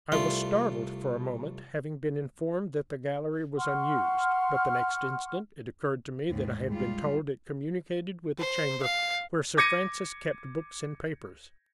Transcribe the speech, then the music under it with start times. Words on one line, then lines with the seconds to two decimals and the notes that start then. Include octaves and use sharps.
I was startled for a moment, having been informed that the gallery was unused; but the next instant it occurred to me that I had been told it communicated with a chamber where Sir Francis kept books and papers.
0.12 C2 A3 F4 C6
3.58 F#5 C6 C#6 F6
6.30 D#2 G#2
6.70 G3 G#3 F4
8.39 C5
8.83 F5
9.57 D6 G#6 A#6 C#7 D#7